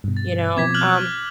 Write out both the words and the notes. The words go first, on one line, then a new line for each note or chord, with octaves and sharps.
you know, um,
G2 B2
A6
B2 F3 C4 D6 G#6 B6
F6 F#6 F#7